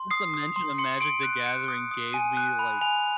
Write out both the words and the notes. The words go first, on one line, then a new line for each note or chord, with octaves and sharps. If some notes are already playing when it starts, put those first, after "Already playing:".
just the mention of Magic: The Gathering gave me, like,
Already playing: C6
D#6 C7
D#6
C6
C6 C#7
C6 D7
F#6 D7
F#6 C#7
D#6
D#6
G#5 D#7
F#6
B5
G#5 F7